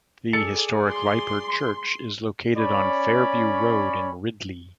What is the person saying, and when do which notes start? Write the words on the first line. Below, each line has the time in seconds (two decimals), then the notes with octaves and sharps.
The historic Lieper church is located on Fairview Road in Ridley.
0.33 G#4 A4 D5 C#7
0.89 C6
2.57 C#4 C#5 D5 B5